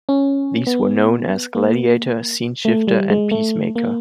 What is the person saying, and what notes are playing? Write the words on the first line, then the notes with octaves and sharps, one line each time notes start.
These were known as "Gladiator", "Sceneshifter" and "Peacemaker".
C#4
B3
A#3
A3
G3
G#3
A3
A#3